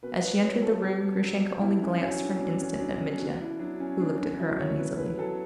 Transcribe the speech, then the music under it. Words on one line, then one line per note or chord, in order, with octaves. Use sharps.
As she entered the room, Grushenka only glanced for an instant at Mitya, who looked at her uneasily.
B2 B4
B4
F#3 C#5
A4
B2 G4
F#3
B2 E4
C#4
F#3 C#4
D4
B2 D4
C#4
F#3 D4
C#4
B2 D4
E4
F#3 D4
C#4
B2 D4
D4
F#3 E4
C#5
B2 B4
B4
F#3 A4